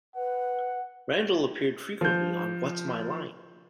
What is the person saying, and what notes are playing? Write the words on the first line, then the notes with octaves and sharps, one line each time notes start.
Randall appeared frequently on What's My Line?
B4 F#5
F3 G6